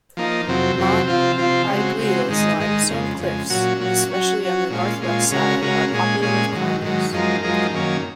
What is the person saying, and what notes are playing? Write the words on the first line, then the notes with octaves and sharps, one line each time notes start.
Mont Aiguille's limestone cliffs, especially on the northwest side, are popular with climbers.
F3 A#3 D#4
F2 C3 F#3 C4
F2 C3 F#3 C4
C3 F3 C4 F4
C3 F3 C4 F4
C#3 G#3 C4 F#4
C#3 G#3 C4 F#4
G#2 D#3 G#3 D#4
G#2 D#3 G#3 D#4
F2 C#3 G#3
F2 C#3 G#3
A#2 F#3 C#4 F#4
A#2 F#3 C#4 F#4
F#3 C#4 F#4
F#3 C#4 F#4
A#2 G#3 C#4 F4
A#2 G#3 C#4 F4
C#3 G#3 C#4 F#4 A#4
C#3 G#3 C#4 F#4 A#4
A#2 G#3 C#4 G#4
A#2 G#3 C#4 G#4
G#2 D#3 F#3
G#2 D#3 F#3
F#2 F3 G#3 D#4 A#4
F#2 F3 G#3 D#4 A#4
F#2 D#3 A#3 C#4